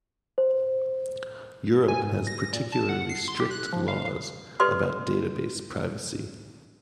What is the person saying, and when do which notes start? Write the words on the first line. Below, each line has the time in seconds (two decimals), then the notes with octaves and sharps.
Europe has particularly strict laws about database privacy.
0.38 C5
1.88 G#5
2.02 G#2
2.27 A#6
2.53 A#2
2.72 A5
2.89 F#5
3.09 C7
3.28 C6
3.40 G4
3.51 F#6
3.73 F3
3.88 F5
4.60 G4 A4 B4 D5 C6 D#6